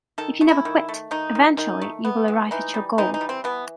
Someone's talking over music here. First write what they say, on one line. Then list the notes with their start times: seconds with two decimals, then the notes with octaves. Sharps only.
If you never quit, eventually you will arrive at your goal.
0.18 D#3 A4
0.41 A3
0.49 E4
0.65 D#3
0.89 A3
1.11 D#3 D#4
1.35 D#3
1.57 D#3 D#4
1.82 A3
2.05 B3
2.28 E3
2.51 E3 D#4
2.74 G3
2.98 E3 D#4
3.14 D#4
3.21 G3
3.29 C4
3.44 E3 B3